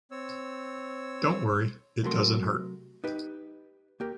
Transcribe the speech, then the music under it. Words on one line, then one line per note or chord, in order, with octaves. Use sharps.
Don't worry, it doesn't hurt.
C4 C#5 E6
C3 F#3 A3 F#4 A#4 C6
D#4 G4 B4
A#3 G4 A#4